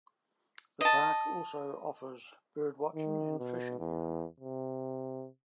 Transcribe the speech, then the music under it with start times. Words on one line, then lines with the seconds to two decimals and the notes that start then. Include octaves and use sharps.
The park also offers birdwatching and fishing.
0.81 D#5 A5
2.95 D#3
3.38 B2
3.80 E2
4.40 C3